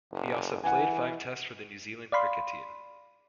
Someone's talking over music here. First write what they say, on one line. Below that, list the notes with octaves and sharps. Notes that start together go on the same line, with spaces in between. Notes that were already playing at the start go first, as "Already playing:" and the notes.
He also played five Tests for the New Zealand cricket team.
F#1
E3 F#5 G#5
D5 F5 B5 C6